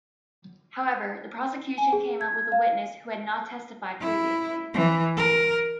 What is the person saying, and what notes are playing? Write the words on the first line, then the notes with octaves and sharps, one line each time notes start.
However, the prosecution came up with a witness who had not testified previously.
G#5
G#4
G#6
F5
E4
E3
A#4